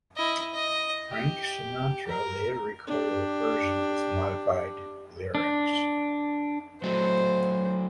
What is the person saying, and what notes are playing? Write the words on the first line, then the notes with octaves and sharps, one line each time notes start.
Frank Sinatra later recorded a version with modified lyrics.
E4 D#5
D#5
G4
A#4
D4 G4
D4
F#3 A3 C5